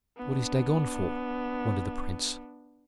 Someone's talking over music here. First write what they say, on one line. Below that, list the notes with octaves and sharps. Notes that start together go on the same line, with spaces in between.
"What is Dagon for?" wondered the prince.
B3 D4